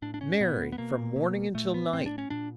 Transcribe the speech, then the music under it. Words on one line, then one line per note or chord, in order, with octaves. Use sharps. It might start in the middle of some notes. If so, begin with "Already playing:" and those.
Mary!' from morning until night.
A2 D4
D4
C#4
A#2 B3
B3
B2 A#3
B2
A#2 A3
B3
A2 C4
D4
C#4
A#2 D4